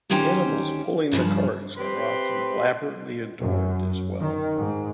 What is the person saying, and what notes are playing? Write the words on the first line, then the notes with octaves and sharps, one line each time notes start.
The animals pulling the carts are often elaborately adorned as well.
D2 D#3 C#4 G4 C5 A#5
G2 C#3 E3 F3
C4 G4 B4 C6
F#2
D#3
G#2